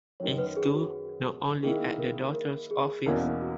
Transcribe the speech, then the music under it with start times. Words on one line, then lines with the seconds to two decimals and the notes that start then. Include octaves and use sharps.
In school, not only at the doctor's office.
0.20 F#2 D#3 F#3 C#5
0.38 B4
0.56 G#4
0.75 F#4
1.63 D#3 A#3 E4 G#4
1.99 A#4
2.34 A#4
2.71 G#4
3.06 E2 B2 A#3 C#4 E4 A#4
3.42 F#4